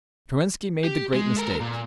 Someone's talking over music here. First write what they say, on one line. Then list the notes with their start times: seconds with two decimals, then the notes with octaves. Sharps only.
Kerensky made the great mistake.
0.84 G4
1.14 G#3
1.36 A4 A#4
1.61 A#2